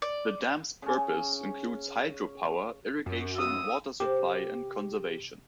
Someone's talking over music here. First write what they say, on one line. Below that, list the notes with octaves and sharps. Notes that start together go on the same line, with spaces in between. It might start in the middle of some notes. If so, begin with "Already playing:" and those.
The dam's purpose includes hydro-power, irrigation, water supply, and conservation.
D5
C#3 C#4
F#2
D#6 E6
C3 G4 C5